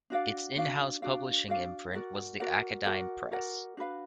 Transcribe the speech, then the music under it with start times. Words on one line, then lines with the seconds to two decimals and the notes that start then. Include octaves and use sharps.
Its in-house publishing imprint was the Akadine Press.
0.10 D4 F#4 D5 F5
0.56 D4 F#4 D5 F5
1.02 D4 F#4 D5 F5
1.48 D4 F#4 D5 F5
1.93 F#4 A#4 D5 F#5
2.40 F#4 A#4 D5 F#5
2.85 F#4 A#4 D5 F#5
3.31 F#4 A#4 D5 F#5
3.77 D4 F#4 B4 F5